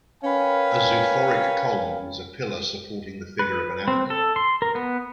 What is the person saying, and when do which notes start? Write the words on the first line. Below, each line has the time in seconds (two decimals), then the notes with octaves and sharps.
A zoophoric column is a pillar supporting the figure of an animal.
0.24 C#4 A#4 B4 F5 G5 G#5
3.39 B4
3.88 C4
4.10 A4
4.36 C6
4.62 A#4
4.75 B3